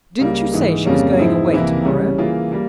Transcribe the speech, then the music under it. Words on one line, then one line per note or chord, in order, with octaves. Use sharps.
"Didn't you say she was going away to-morrow?"
C#2 C#3 G3 A#3
G#2 E3 G#3
F2 C#3 G3 A#3 C#4
G#2 F3 C4 E4
C2 C3 E3 A#3 E4
C#3 G3 C#4
E3 A#3 F4 G#4
G3 A#3